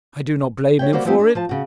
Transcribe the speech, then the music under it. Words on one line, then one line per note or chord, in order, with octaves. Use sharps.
'I do not blame him for it.
F#4 C#5 E5 G5
G3 A#3 F#4 C5 D5
F3 A3 B3 C4 G4
D4
F3 C5 A5
C#3 F#4